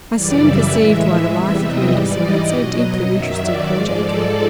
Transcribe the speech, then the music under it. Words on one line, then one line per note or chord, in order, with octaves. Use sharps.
I soon perceived why the life of Mendelssohn had so deeply interested poor Jacob.
F#2 C#3 E3 G3 D5
E5
A2 E3 G#3 E5
E2 C3 E3 G3 E5
D#5
G#2 E3 G3 D5
D#5
B2 F#3
F#2 D#3 F#3 E5
D5
G#2 F3 G#3
A4